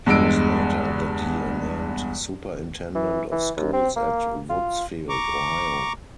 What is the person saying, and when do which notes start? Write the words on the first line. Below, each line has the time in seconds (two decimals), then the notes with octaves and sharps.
He was later that year named superintendent of schools at Woodsfield, Ohio.
0.06 E2 G2 G#3 E6 D7
2.95 E3
3.31 E3
3.57 D#2
3.73 C4
3.96 A#3
4.50 F4
5.09 A#5 C#6 D6